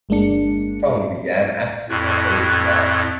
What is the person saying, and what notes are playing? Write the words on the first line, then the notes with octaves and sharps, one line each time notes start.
Chong began acting at age nine.
G1 G#3 A#3 D4 C#7
F2 A2 F#6 G#6